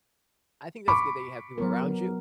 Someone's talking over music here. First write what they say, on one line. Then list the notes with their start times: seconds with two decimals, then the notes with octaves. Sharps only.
I think that's good that you have people around you,
0.88 B5 C#6 D6
1.58 F#3 B3 A#4